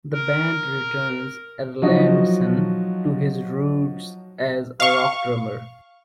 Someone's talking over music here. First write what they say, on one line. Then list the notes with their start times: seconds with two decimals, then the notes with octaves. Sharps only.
The band returns Erlandsson to his roots as a rock drummer.
0.13 A#4
1.82 F3 F#3 D#4 F#4 D#5
4.80 F5 C#6